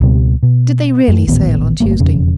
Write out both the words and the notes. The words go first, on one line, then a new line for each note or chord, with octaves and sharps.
Did they really sail on Tuesday?'
C#2 B2 G3 C4
B2
F#2 A3
D#1 A1 D#2 B3
G1 A3 A#3
E1 F2 C#3